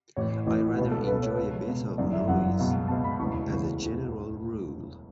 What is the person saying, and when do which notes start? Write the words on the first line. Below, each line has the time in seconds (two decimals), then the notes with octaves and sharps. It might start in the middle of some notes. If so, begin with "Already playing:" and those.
I rather enjoy a bit of noise, as a general rule.
0.16 A1 A2 E3 C#5
0.46 A1 A2 E3
0.77 C#2 B2 B4
0.91 A4
1.07 C#2 B2 B4
1.23 C#5
1.37 C#2 B2
1.67 C#2 B2
1.98 G1 F#2 E3 D5
2.13 E5
2.28 G1 F#2 E3 F#5
2.59 C#2 B2
2.88 C#2 B2 A5
3.04 B5
3.19 E1 D2 C#3 E3 C#6
3.49 E1 D2 C#3 E3